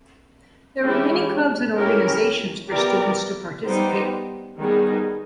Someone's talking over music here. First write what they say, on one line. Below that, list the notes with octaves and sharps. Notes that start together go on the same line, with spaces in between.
There are many clubs and organizations for students to participate.
E3 G#3 C#4 E4 G4
C#4 E4 G4 A#4
B3 E4 G4 A#4 D5
G3 B3 D#4 G4 C5
D#3 G3 B3 D#4 G#4